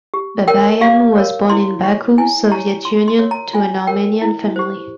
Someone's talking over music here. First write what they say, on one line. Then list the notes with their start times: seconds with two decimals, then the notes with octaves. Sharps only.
Babayan was born in Baku, Soviet Union to an Armenian family.
0.14 G4
0.48 A#4 C#5 G5
0.81 G4 F5
1.16 A#4 C#5
1.50 E4 C6
1.83 G4 C#5
2.18 E4 G#5
2.51 G4 C#5 A#5
2.85 F4 C6
3.08 C6
3.19 A#4 C#5
3.31 A#5
3.53 F4 G#5
3.87 A#4 C#5 G5
4.22 E4
4.56 G4 C5